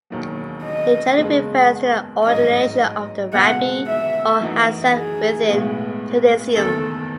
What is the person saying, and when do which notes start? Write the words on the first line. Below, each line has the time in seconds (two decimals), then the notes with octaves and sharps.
It generally refers to the ordination of a rabbi or hazzan within Judaism.
0.10 E1 D#2 D#3 F#3
0.64 D#5
1.18 F#1 E2 C#3 G#3
2.25 A1 G#2 F#3 C#4 D#5
3.33 C#2 B2 G#3 B3 F#4 F#5
3.87 E5
4.40 F#2 E3 A3 D#4 F#4
4.95 G#4
5.48 B1 A2 G#3 B3
6.55 F#1 E2 D#3 A3 A4